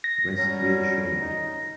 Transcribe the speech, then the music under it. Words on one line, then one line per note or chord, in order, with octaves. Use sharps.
Rest reassured.
A#6
F#3 G3 C#4
D#4